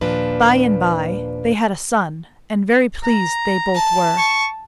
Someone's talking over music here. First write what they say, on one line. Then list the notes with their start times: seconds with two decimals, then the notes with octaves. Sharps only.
By and bye they had a son, and very pleased they both were.
0.01 D#2 A#2 F3 D4 B4
3.04 A#5
3.75 A5
4.18 C#6